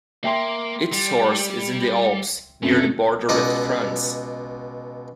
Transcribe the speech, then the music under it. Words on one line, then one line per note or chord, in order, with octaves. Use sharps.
Its source is in the Alps, near the border with France.
A#3 E5 G5 C6
G3
F#2 C3 A3
C#2 B2 D5 D#5 F#5